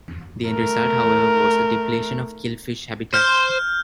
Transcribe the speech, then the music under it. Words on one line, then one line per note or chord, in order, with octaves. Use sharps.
The end result, however, was a depletion of killifish habitat.
A3 A#4
C5 F6 G6